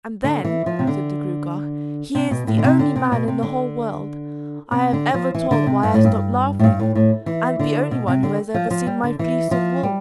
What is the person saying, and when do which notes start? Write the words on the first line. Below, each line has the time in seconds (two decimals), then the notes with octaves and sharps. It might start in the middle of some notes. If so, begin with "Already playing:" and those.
"And then," said the Gruagach, "he is the only man in the whole world I have ever told why I stopped laughing, and the only one who has ever seen my fleece of wool."
0.24 D3
0.44 E3
0.66 F3
0.79 C3
0.87 D3
2.15 C3
2.31 B2
2.47 A2
2.58 D3
2.64 C3
2.79 D3
2.96 C3
3.12 B2
3.28 C3
3.43 D3
4.72 C3
4.93 D3
5.14 F3
5.35 E3
5.51 D3
5.66 C3
5.83 G2
5.94 A2
6.05 G2
6.59 A2
6.64 G2
6.80 A2
6.95 A2
7.26 E3
7.59 D3
7.91 B2
8.07 C3
8.23 D3
8.54 F3
8.71 F3
8.87 G3
9.03 D3
9.19 E3
9.51 F3
9.83 G3